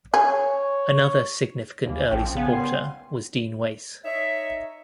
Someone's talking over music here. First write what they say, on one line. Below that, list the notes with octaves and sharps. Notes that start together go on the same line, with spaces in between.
Another significant early supporter was Dean Wace.
G#4 C#5
D#2 E3 A#3
A#1 F3 C#4 G5
C#3 B3 F5 G#5
D#2 G3 C6
D#4 C#5 D#5 E5